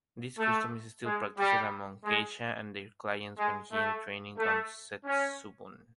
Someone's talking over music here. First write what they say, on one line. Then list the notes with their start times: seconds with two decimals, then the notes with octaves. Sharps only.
This custom is still practiced among geisha and their clients when entertaining on Setsubun.
0.38 A3
1.06 G#3
1.39 G3
2.05 G#3
3.38 G#3
3.72 A3
4.38 A3
5.05 C#4